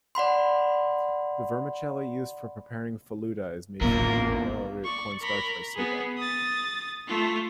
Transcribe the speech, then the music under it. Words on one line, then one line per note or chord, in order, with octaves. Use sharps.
The vermicelli used for preparing falooda is made from wheat, arrowroot, cornstarch, or sago.
D5 F#5 B5 C6
A1 E2 A#2 A#3 A#4
D5 C#6
A#4 B5
B3 G#4
D#6 A6
A3 F4